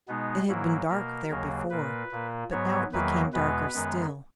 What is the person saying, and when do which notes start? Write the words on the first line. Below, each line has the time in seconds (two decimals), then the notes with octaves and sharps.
It had been dark there before, but now it became darker still.
0.08 B2 G#3 B3 D#4
0.49 G#2 F#3 A#3 E4
0.89 B2 A#3 A#4
1.30 D#2 C#3 F#3 A#3
1.70 A#2 A#3 B4
2.12 A#2 A#3
2.51 G#2 F#3 B3 C#5
2.92 E2 D#3 F#3 A#3 B4
3.33 E2 B2 G#3 B3 B4
3.73 F#2 D#3 G#3 B3